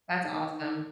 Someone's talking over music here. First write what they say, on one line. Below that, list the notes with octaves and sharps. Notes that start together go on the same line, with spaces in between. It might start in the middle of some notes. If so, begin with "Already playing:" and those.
That's awesome.
D#4
D#4